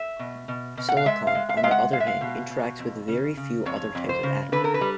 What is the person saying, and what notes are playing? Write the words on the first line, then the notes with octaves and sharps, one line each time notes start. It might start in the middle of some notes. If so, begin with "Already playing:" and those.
Silicon, on the other hand, interacts with very few other types of atoms.
Already playing: E5
B2
B2
B2
F#5
F5
G#3 E5
F5
G#3
F5
E5
G#3 F5
F#5
G#3 F5
E5
F5
B2
B2
F2
C#3
C#3
F2 C#5
F2
C5
C#3
D3 B4
A#4
B4
G3